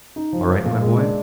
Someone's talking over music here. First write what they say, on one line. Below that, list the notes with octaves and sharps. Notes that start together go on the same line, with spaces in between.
All right, my boy!
D#4
F3
F3
A#2
G#3
D4